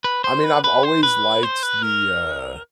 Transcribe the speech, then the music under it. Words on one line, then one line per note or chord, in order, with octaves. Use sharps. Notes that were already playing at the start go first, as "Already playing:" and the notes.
I mean, I've always liked the, uh
B4
C5
B4
B4
C5
B4
C5
B4
A#4